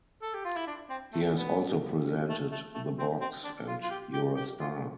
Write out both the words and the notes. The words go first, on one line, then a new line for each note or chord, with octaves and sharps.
He has also presented "The Box" and "You're a Star".
A4
G4
F4
E4
D4
C4
A3
B3
A3
A3
A3
C4
C4
D4
F4
F4
G4
G4
G4
F4